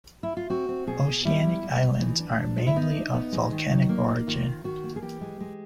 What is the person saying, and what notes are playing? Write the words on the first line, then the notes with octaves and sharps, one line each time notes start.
Oceanic islands are mainly of volcanic origin.
E4
F4
C4 F#4
C4
B2 G#4
B2
G3 E4
G3
G3
B2
E3 D#4
D4
D4
G#3 F4
E4
B3 D#4
D4
B3
G#3
D#3
F#3
A#3
A#3
D#3 F4
D#3
D#3 F#4
A#3
G#4
E3 G4
G#3
G#3